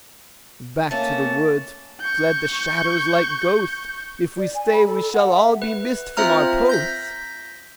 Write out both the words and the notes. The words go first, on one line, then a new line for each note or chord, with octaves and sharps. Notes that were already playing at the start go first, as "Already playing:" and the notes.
Back to the woods fled the shadows like ghosts: "If we stay, we shall all be missed from our posts."
A3 A#3 C#4 A5
C#6 G6
D5
G#5
B5
A4
A4
F#5
E5
B4
C4 F4 C5 E5 A#5 F6
G6 A#6 B6